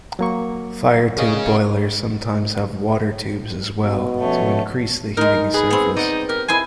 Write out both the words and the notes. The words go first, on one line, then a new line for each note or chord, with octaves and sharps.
Fire-tube boilers sometimes have water-tubes as well, to increase the heating surface.
F#3 A#3 C#6
G#4 C#5 D#5 F5
B2
F3 A3 C#4
G#3 D#4 A#4
G#4 B4
B3 C4
D#4 D5 F#5 G5
G4 A#4
E4 G#4 C5 G#5